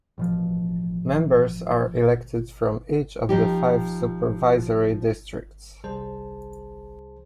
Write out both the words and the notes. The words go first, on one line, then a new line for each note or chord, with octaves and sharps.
Members are elected from each of the five supervisory districts.
A1 B2 F3
F3 D#4 G4
C2 G#4 C5 A5